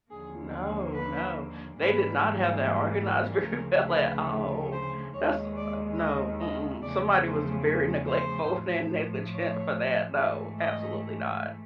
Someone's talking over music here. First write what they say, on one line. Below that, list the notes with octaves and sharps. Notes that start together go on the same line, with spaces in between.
No, no, they did not have that organized very well at all. That's a No, mm-mm, somebody was very neglectful and negligent for that, no, absolutely not.
D#2 D3 F3 A#3 G#4
B4
G#2 E3 G3 A#3 B4
A#4
D2 C#3 F3 A3 A#4
B4
C5
D#2 D#3 G#3 C#5
D5
D#5
D#5
E2 C#3 F3 A3 D5
C5
C5
A2 F3 A3
C#5
G#2 E3 A3
D#5